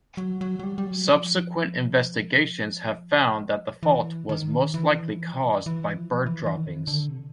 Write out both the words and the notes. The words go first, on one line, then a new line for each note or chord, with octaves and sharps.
Subsequent investigations have found that the fault was most likely caused by bird droppings.
F#3
F#3
F#3
G3
G3
F#3
F3
E3
D#3
E3
F3
E3
E3
F3
E3
E3
D#3
D3
C3